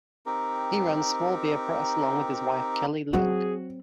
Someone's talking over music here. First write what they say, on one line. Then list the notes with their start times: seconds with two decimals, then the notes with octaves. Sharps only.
He runs Small Beer Press along with his wife Kelly Link.
0.26 C4 D#4 G4 A#4
3.13 F#3 C4 F#4 G#4